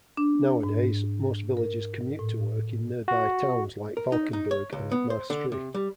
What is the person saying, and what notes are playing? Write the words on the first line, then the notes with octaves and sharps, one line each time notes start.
Nowadays, most villagers commute to work in nearby towns like Valkenburg and Maastricht.
D4
G#2
A#4
A2
F#4
A#4
D#4
D#4
C#5
C#2
B3
C5
D3
C3
G3